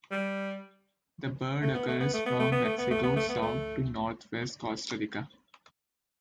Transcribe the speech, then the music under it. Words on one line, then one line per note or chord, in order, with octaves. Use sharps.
The bird occurs from Mexico south to north-west Costa Rica.
G3
A3
B3
A3
B3
A3
B3
A3
B3
A3
B3
A3
B3
A3
B3
A3